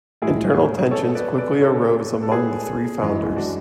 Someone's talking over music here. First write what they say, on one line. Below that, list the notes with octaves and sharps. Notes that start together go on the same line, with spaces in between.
Internal tensions quickly arose among the three founders.
A2 G#3 E4 G#4
A4 C#5
B4 D5
B4 D5
D5
A4 C#5
A4
G#4 B4
F#2 E3 G#3
D4 F#4